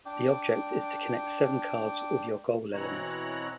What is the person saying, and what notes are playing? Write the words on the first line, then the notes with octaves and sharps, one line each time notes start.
The objective is to connect seven cards with your goal element.
D4 G5 D6
B2 E3 C4 C#5 A#5 F#6